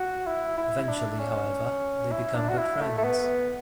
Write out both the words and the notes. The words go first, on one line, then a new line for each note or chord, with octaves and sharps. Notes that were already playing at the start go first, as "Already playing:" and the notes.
Eventually, however, they become good friends.
Already playing: F#4
E4
E4
E4
D4
C#4
E4
D4
F#4
E4
A3
A3
B3